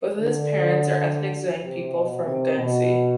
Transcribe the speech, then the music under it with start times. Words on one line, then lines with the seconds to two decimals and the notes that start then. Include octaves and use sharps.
Both of his parents are ethnic Zhuang people from Guangxi.
0.20 D3
1.62 C3
1.93 B2
2.24 C3
2.56 B2